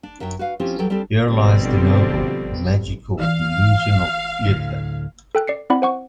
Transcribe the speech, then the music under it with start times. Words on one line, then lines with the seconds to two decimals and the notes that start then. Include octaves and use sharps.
Here lies the noble, magical illusion of theater.
0.03 D4
0.20 F#2 F#3 E5 G5
0.39 F#4 B4 F5
0.60 F3 C4 C#4 E4 F4 G4
0.79 E2 F#3 G3 A4 G5
0.90 G3 C4 D4 G4 A4
1.28 B2 D3 F3 G3 C4
3.20 E3 F5
4.46 D2 A2
5.35 A4 G5 F#6
5.47 D5 C7 C#7
5.70 C4 E4 D5 F#5 B5
5.82 C5 F#5 C#6